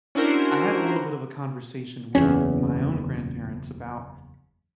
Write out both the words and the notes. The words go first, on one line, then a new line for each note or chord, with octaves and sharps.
I had a little bit of a conversation with my own grandparents about
C#4 D4 E4 F#4 A#4 C5
F#1 E2 C#4